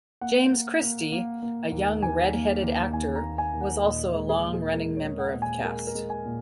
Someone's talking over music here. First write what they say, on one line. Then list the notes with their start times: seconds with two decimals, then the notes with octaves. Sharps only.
James Christie, a young red-headed actor, was also a long-running member of the cast.
0.21 A#3 F#5
0.51 A#3
0.82 A#3
1.12 A#3
1.43 A#3
1.72 D#2
2.02 D#2 G#5
2.33 A#3
2.63 D#2
2.93 D#2 G#5
3.16 A#5
3.23 A#3
3.38 G#5
3.53 D#2
3.61 F#5
3.84 A#2 D#5
4.14 G#3
4.29 G#4
4.45 A#2
4.54 G#4
4.74 G#3 A#4
4.97 C#5
5.04 G#3
5.19 F#5
5.35 A#2
5.42 G#5
5.65 G#3 A#4
5.87 A#4
5.95 G#3
6.10 G#5
6.25 A#2